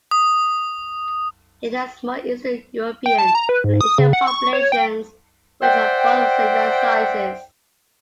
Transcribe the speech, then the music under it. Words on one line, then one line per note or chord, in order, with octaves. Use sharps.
It has small Eastern European and Asian Populations which are both of similar sizes.
D#6
G5
A5
A#5
B4
G#2
D#6
C#3
F#5
C#6
C#5
G5
C5 D5 E5 F#5 G5